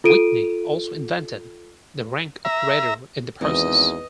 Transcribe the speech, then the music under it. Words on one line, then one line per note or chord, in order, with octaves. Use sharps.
Whitney also invented the rank operator in the process.
F4 A4 D7 D#7
E5 A#5
G#1 E2 E3 D#5